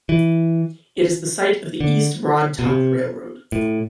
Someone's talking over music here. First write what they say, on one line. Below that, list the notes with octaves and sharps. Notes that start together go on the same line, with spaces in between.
It is the site of the East Broad Top Railroad.
E3
D3
B2
C3
A2